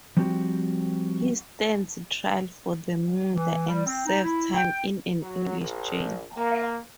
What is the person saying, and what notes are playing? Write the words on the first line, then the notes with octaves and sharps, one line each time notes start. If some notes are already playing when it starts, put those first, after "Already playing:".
He stands trial for the murder and serves time in an English jail.
F3 G3 C4 F#4 G4
E3
G3
C4
D#4
E4
G5
F#3
A#1
A#3